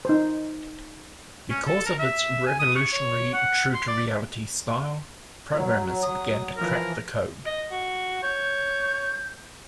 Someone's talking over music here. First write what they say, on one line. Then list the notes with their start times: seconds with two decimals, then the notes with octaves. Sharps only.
Because of its revolutionary true-to-reality style, programmers began to crack the code.
0.05 D#4 C5
1.50 C#4
1.66 A4
1.86 A#4
1.99 E5
2.47 G#5
2.60 D#6
2.75 C#6
2.93 C#5
3.34 F#5
3.74 C6
3.88 D5
5.53 F#3
6.03 D#6
6.57 E3 F3 A#4
7.46 D#5
7.71 F#4
8.22 C#5 G6